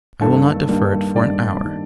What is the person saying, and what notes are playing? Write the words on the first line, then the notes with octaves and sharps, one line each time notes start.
I will not defer it for an hour.'
G2 D#3 G3 A#3 A4
G2 D#3 G3 A#3
G2 D#3 G3 A#3 D5
D#3 G3 A#3